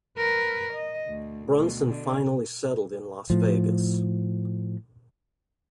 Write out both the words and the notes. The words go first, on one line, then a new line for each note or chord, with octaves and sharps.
Brunson finally settled in Las Vegas.
A#4 B4
D#5
D2
D2 B2
B2 D3
A2 F3